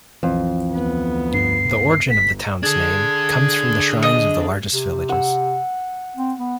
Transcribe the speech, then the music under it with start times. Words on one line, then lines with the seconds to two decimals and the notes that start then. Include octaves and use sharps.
The origin of the town's name comes from the shrines of the largest villages.
0.23 B1 F2 E3
0.71 D2 B3
1.34 G2 C7
2.10 G1 B6
2.63 D4 G#4 A4 G#6
4.03 D#5
4.74 C3
5.09 F#5 E6
6.16 C4
6.38 B3